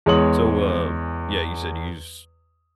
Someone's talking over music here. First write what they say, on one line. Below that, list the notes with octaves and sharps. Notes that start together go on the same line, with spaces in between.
So, uh, yeah, you said you use
E2 G#3 G#4 C#5 D#6 F#7